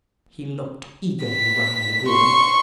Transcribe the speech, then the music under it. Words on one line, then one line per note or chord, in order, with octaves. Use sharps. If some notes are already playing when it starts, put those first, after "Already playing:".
He looked eagerly round the room.
B6
C6 C#6